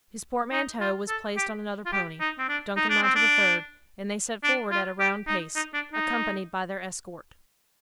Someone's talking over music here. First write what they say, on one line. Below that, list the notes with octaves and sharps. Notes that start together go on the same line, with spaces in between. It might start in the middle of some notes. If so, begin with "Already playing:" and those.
His portmanteau was placed on another pony, Duncan mounted a third, and they set forward at a round pace, accompanied by their escort.
D#4
F4
A4
G4
F4
G4
D#4
C4
D4
D#4
D4
C4
D4
D4
F4
G4
D#4
D#4
D4
D#4